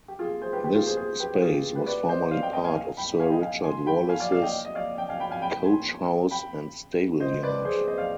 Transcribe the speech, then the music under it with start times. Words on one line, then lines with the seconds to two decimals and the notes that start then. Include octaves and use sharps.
This space was formerly part of Sir Richard Wallace's coach house and stable yard.
0.08 G4
0.19 F4 G#4
0.42 G#4 C5
0.53 G4 B4
0.64 G4
0.75 F4 G#4
0.87 G#4 C5
0.97 G#4 C5
1.19 G4 B4
1.41 F4 G#4
1.53 G4
1.75 G4 B4
1.86 B4 D5
2.09 C5 D#5
2.31 D5 F5
2.42 D#5 G5
2.53 D#5 G5
2.64 F5 G#5
2.75 F5 G#5
2.97 G5 B5
3.20 F5 G#5
3.31 D#5 G5
3.42 F5 G#5
3.64 G#5 C6
3.86 G5 B5
4.09 F5 G#5
4.20 D5 F5
4.31 D5 F5
4.42 D#5 G5
4.65 D#5
4.75 D5 F5
4.98 D#5 G5
5.09 F5 G#5
5.20 G5 B5
5.31 F5 G#5
5.42 G5 B5
5.65 G#5 C6
6.31 G5 B5
7.20 C5 D#5
7.43 B4 D5
7.65 G#4 C5
7.76 G#4 C5
7.87 C5 D#5
7.98 D5 F5